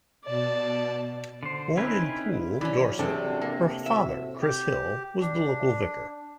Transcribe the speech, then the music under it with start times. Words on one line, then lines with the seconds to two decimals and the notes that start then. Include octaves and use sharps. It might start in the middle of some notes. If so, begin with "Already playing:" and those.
Born in Poole, Dorset, her father, Chris Hill, was the local vicar.
0.25 B2 D5 A5
1.43 D3 C5
1.77 C4 C#4 D#4 E4 B4
2.61 G2 B2 E3 F#3 C#4 D5
2.99 C3 C4 D4 G#4 A4
3.41 A#3 A4
3.86 A2 F#4 C5 E5
4.42 G4
5.21 D4